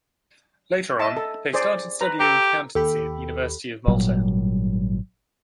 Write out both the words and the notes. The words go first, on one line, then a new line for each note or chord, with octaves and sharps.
Later on, they started studying Accountancy in the University of Malta.
D#5 E5 A5
A4
G#4 C5 D5
B4 A#5
G4 A4 A#5
D#2 G4 A4 B5
G#1 A#2 F#3 G3